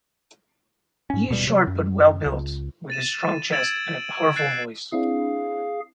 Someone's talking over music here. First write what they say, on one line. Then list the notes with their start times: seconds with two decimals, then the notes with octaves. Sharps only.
He is short but well built, with a strong chest and a powerful voice.
1.10 G#2 C#4
1.29 D#1 B2 G3
1.47 C3 F#3
1.67 F#2
2.26 C#2
2.90 A6 D#7 E7
3.52 E6 G#6 A6 D7 E7 F#7
4.36 F#6 A6 C7 D7 E7
4.92 C4 D4 E4 G#4 F5